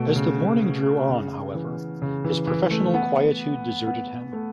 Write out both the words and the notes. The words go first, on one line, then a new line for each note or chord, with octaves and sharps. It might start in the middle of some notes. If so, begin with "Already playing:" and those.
As the morning drew on, however, his professional quietude deserted him.
Already playing: B2 A3
C#3
C#3
E3
C#3
E3
E3
A3
B3
B3
A3